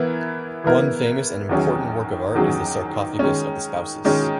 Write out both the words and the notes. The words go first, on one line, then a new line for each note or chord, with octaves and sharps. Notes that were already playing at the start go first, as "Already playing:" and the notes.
One famous and important work of art is the Sarcophagus of the Spouses.
Already playing: E3 B3 E4 A#4
E3 B3 E4 A#4
E2 D#3 F#3 C#4 G#4
E2 D#3 F#3 C#4 G#4
D#3 G#3 C#4
D#3 G#3 C#4